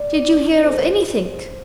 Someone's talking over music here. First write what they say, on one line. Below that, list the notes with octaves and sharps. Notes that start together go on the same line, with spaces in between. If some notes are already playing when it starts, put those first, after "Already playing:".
"Did you hear of anythink?"
Already playing: D5
D3 G#3 C4 C5
C5